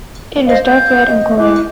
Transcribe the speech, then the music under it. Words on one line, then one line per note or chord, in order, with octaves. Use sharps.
It is dark red in colour.
C5 D#5 F5
F5 G6
D#5
E4 D6 F#6